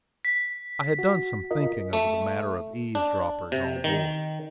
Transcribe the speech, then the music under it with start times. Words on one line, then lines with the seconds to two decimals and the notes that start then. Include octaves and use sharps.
I had done some thinking over the matter of eavesdroppers on board.
0.25 B6
0.99 F#4
1.51 F4 A#4 D#5
1.93 A3
2.95 D4
3.52 C3
3.84 D#3